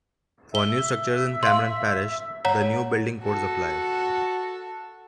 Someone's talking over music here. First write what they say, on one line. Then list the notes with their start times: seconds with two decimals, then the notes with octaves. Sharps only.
For new structures in Cameron Parish, the new building codes apply.
0.55 E5 G7
1.43 F5 C6
2.45 C#5 F#5 A#5
3.20 F#4 A4